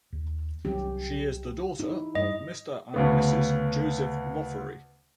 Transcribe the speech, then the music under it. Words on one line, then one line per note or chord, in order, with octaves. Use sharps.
She is the daughter of Mr. and Mrs. Joseph Loughery.
D#2
C2 D#3 F#3 C#4 G4
D#4 E4
G2 D#5
D2 C#3 B3